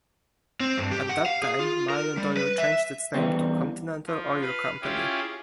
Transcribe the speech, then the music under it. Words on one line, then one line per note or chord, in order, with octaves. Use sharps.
At that time, Marland Oil changed its name to Continental Oil Company.
C4
G2
G4
F#5
F5
G#4
F4
A#4
G3
B4
E5
E2 E3 G3 C4
F3
B4 F5
C#4 E4 F4 G4 G#4